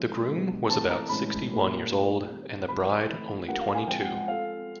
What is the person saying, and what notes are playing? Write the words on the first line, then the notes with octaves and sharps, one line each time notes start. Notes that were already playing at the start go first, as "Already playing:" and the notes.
The groom was about sixty-one years old and the bride only twenty-two.
Already playing: F3 G#3 C4 E4 A4
B2 G#3 B3 D4 G4
E3 A3 C4 A5
A#5
A2 E3 G#3 C#4 B5
A#2 G3 A#3
A3 D4 F4
D#3 G3 C4
C3 F3 G#3 B5
E3 A3 C4 E4
G3 A#3 D4 F4 A#4 F#5
F5
G#5
F3 G#3 C4 G5
F#5
F#5
C4 F4 A4 F5